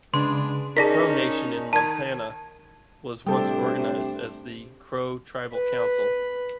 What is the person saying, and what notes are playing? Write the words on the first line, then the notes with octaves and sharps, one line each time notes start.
The Crow Nation in Montana was once organized as the Crow Tribal Council.
C#3 G#3 B3 D4 C6
C#4 D#4 G#4 A#4 D5 A5 A#6 B6
D#3 A5 G#6
A2 C3 G3 D4 G4 A4 C5
B4 B5